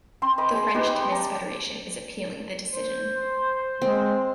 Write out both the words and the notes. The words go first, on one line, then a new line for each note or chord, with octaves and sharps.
The French Tennis Federation is appealing the decision.
C4 C5 C6
D#5 G5 B5 D6
G#4
D#4 G4 B4
C4 D6
D5 A5 A#5
C5
G#3 C4